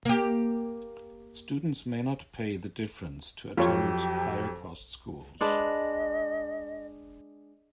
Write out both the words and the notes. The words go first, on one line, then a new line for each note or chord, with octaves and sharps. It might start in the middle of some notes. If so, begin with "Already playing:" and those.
Students may not pay the difference to attend higher-cost schools.
A#3 G4
F2 F#3 F4 G4 C#5
G#3 D4 B4 D#5